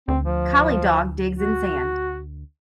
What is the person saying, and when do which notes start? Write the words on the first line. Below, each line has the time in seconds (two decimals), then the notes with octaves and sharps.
Collie dog digs in sand.
0.08 D2 C4
0.24 F3
1.36 F#4